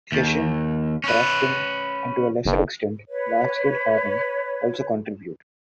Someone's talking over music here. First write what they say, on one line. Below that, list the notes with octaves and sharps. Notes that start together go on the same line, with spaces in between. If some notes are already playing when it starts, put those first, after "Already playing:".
Fishing, crofting and to a lesser extent, large-scale farming also contribute.
D#2
C#4 B4
F#1
B4 C#5